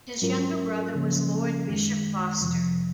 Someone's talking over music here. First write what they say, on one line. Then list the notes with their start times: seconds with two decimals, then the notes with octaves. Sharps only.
His younger brother was Lord Bishop Foster.
0.22 G#2 F#3 C#4 F4 A#4
0.94 C#2 C#3 F3 A#3 C#4
1.68 F#2 D#3 G#3
2.41 F2 C3 F3